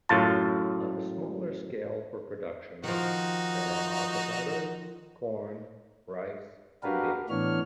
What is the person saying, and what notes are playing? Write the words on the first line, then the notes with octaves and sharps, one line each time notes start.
On a smaller scale for production there are avocados, corn, rice and beans.
F#2 A2 F4 A5
D#3 F3 D#4 F#4
D4 F#4 G4 A#4 B4 F5
A2 E3 B3 D4 C#5 F6